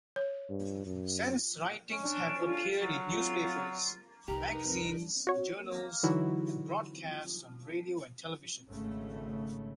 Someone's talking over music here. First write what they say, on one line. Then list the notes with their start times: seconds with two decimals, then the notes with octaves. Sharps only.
Sen's writings have appeared in newspapers, magazines, journals, and broadcast on radio and television.
0.16 C#5
0.50 G2
0.86 F#2
1.91 C#4
2.81 F#3
4.28 C2 F2 D#4 G4 A#4 B4 A#5
5.27 F#4 C#5
6.03 D3 E3 F#3 D#4 E4 F#4
8.69 G#1 C#3 A3